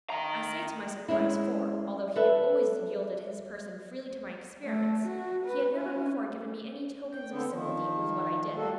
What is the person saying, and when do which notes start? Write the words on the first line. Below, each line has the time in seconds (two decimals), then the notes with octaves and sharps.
I say to my surprise, for, although he had always yielded his person freely to my experiments, he had never before given me any tokens of sympathy with what I did.
0.10 D#3 A#5
1.08 G#3 C#4 E4
2.16 A4 B4 E5
4.65 A3
5.08 F#4
5.46 B4
5.75 C#4
7.12 G5
7.31 D3 B3 C4
7.52 D#3 F3
8.57 G3 A3 A#3 F#4 A4